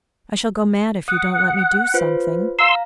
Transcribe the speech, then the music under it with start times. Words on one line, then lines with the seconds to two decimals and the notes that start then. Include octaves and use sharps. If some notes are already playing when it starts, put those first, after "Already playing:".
I shall go mad if you don't let me do something.
1.08 F#5 D#6
1.94 F4 B4 C5
2.59 F5 A#5 C6 E6